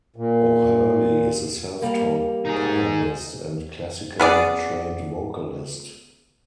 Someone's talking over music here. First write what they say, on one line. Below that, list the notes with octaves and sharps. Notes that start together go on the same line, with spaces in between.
O'Hurley is a self-taught pianist and classically trained vocalist.
A#2
G3 A#3
D#4 G#4
B3 G#4 D5